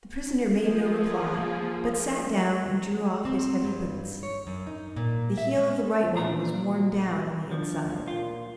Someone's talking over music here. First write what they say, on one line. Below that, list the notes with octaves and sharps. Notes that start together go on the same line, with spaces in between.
The prisoner made no reply, but sat down and drew off his heavy boots. The heel of the right one was worn down on the inside.
F3 A#3 F4 G#4
C4
G2
C#5
F#2
D#4
A#2
E5
G#3
A#2 F3 D4 A#5
F#4
B2
F3 D4
A#2 F4